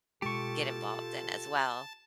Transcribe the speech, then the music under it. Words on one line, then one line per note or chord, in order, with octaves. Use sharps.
get involved in as well.
B2 G#3 F4 G4 A4 A5 C#6